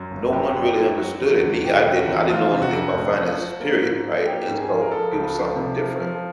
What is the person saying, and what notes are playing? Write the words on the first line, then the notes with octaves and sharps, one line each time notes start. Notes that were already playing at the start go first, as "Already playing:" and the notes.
no one really understood it. Me, I didn't, I didn't know anything about finances, period, right? And so it was something different,
Already playing: F#2
G1
F#2 G4
F#2
F#2
F#3 F#4
E2
E2
B2 G4
E2
F#4
E2
F3 F4
C3
F#4
F2
F1
F3
F3
A#3
G#2
F3
A#3 G4
G#2
G#4
F3
A#4
F3 A4
C#2
F3
C3
F3
F3